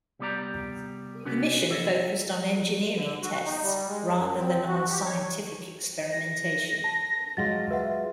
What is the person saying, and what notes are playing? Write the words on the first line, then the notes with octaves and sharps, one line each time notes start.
The mission focused on engineering tests rather than on scientific experimentation.
C2 G3 B3 G4 D5 A#5
C3 B3 C#4 D4 F#4
E4 A4 D#5 E5
D3
F#4
D#4
G3
G#3
F#2
C4
F#4
G4
C#5
A#6
A5
F#3 G#3 F4 F#5 A6
B4 E5 F#5